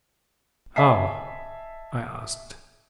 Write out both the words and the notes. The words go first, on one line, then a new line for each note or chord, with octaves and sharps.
"How?" I asked.
D#5 E5 G#5 A5 B6 C7